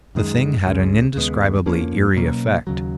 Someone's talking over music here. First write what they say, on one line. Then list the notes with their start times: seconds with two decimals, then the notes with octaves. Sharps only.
The thing had an indescribably eery effect.
0.15 F#2 D#3 G#3
0.65 C#2 C#3 G#3 C#4
1.16 D#2 C#3 G#3 B3
1.66 F2 F3 A#3 C#4
2.16 B2 F#3 A#3 C#4
2.67 D#2 C#3 F#3